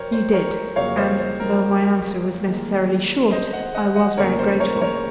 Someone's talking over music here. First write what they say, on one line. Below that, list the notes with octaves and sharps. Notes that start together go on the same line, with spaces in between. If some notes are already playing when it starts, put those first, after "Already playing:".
"You did;--and though my answer was necessarily short, I was very grateful."
Already playing: F2 C3 F#3 C4 A#4 C5 C#5
C5
A#4 C#5
F2 C#3 F#3 A#3 C#5 F5
C5 D#5
C5
A#4
D#2 D#3 G#3
C5 D#5
D#5 F#5
D#5 F#5
D#5 F#5
F1 D#2 C#3 G#3 A#4 C#5
C5
A#4 C#5
A#4 C#5